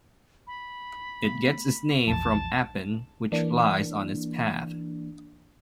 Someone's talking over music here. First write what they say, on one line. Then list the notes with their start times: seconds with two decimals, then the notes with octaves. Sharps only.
It gets its name from Appin, which lies on its path.
0.47 B5
1.24 A3 B3
2.07 A#1 E2 F3 A5
3.32 E3 A#3 D4